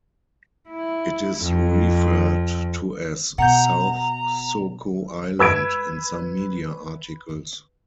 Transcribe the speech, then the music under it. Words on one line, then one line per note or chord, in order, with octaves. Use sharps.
It is referred to as South Soko Island in some media articles.
E4
F2
B2 F#5 A#5 G6
B4 E6 G#6 D7